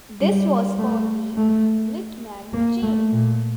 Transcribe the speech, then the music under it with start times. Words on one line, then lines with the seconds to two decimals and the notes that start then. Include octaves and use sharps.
This was called the "litchman chain".
0.21 G3
0.78 A3
1.37 A3
2.53 A#3
2.83 A3
3.12 A#2